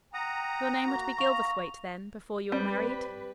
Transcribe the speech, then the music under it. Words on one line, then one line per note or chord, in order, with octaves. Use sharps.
"Your name would be Gilverthwaite, then, before you were married?"
F#5 G5 A#5 D#6
A#3 F#4
B3 F5 C#6 F7
G3 C4 B4